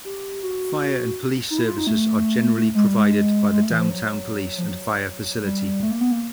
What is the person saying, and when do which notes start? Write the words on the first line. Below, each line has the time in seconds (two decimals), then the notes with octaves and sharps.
Fire and Police Services are generally provided by the downtown police and fire facility.
0.05 G4
0.43 F#4
1.50 D#4
1.58 E4
1.68 F4
1.78 D#4
1.87 A3
2.75 G#3
2.85 G3
2.95 G#3
3.52 G#3
3.61 A3
3.71 E3
3.80 F3
3.90 F#3
4.58 F3
4.67 F#3
5.44 G3
5.83 A3
5.91 A#3
6.01 B3
6.11 A#3